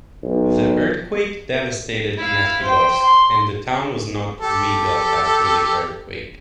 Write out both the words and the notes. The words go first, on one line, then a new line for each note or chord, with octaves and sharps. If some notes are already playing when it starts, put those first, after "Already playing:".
The earthquake devastated Neftegorsk, and the town was not rebuilt after the earthquake.
B1
E4 F5
C5 G5
C6
G4 A4